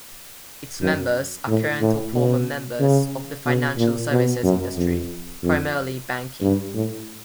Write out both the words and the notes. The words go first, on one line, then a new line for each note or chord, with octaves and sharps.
Its members are current or former members of the financial services industry, primarily banking.
F#2
A2
A2
B2
C#3
B2
A#2
B2
F#2
F2
F2
G2
A2